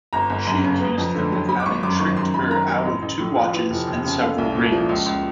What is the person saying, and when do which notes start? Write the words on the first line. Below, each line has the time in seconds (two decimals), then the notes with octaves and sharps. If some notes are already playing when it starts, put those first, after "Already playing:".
She accused him of having tricked her out of two watches and several rings.
0.13 G1 A#5
0.30 G1
0.47 F#2
0.64 C#3
0.80 B3
0.98 F2
1.15 D3
1.32 F#3
1.49 F#3 B5
1.60 D6
1.66 G#1 C#6
1.83 F#2 D6
2.00 D#3 C#6
2.16 F#2 C6
2.34 F#2 B5
2.50 D#3 A#5
2.68 F#3
2.85 A1
3.02 A1
3.19 A2
3.36 F3
3.53 E3
3.70 F1
3.87 D#2
4.04 C#3
4.21 A3 F5
4.38 C2
4.55 A#2
4.72 F3
4.89 C#2
5.06 C#2